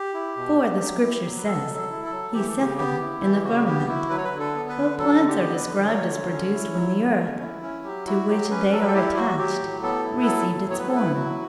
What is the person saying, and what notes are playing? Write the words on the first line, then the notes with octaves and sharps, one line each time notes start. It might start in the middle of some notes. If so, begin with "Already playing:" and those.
For, the Scripture says: "He set them in the firmament." But plants are described as produced when the earth, to which they are attached, received its form.
Already playing: G4
E4
B2
B3
F#3
E4
F#3
B4
B3 A4
F#3
A4
E4
A4
F#3
E3 G4
A4
C#3 G4
B3 G4
E4
E3 G4
C#3 F#4
B3 G4
E4 F#4
F#3 B4
C#5
B4
D3
A4
B3
B4
D3
F#3 A4
D3
G4
B3
B4
D3
F#3 C#5
D3
C#4
E4
F#3
D3
C#4
E4
C#4
F#3 G4
E4 F#4
F#3 G4
C#4 B4
F#3 A4
B4
A4
E4 G4
F#3 F#4
F#3 G4
A2
B3 A4
E4
B4
F#3 A4
A2
B3 C#5
B4
A4
E4 B4
F#3 F#4